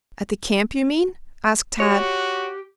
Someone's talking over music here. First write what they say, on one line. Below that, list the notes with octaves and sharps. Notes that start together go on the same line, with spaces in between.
"At the camp, you mean?" asked Tad.
F#4 G4 C#5